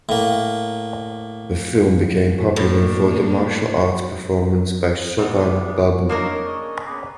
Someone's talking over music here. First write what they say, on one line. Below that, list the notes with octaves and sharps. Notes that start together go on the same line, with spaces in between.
The film became popular for the martial arts performance by Sobhan Babu.
A2 A#3
A2 A#3 D4
G2 D#3 G3 G#3 B3
A2 A#3 D4 D#4 A#4 C#5
C#3 C#5 D#5
C#3 A#3 B3